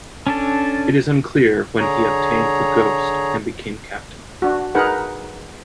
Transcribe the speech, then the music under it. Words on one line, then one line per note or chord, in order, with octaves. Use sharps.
It is unclear when he obtained the "Ghost" and became captain.
C#4 D4 A4
D3 G#4 C#5 A#5
D4 F#4
D#4 G#4 A#4 B4 F#5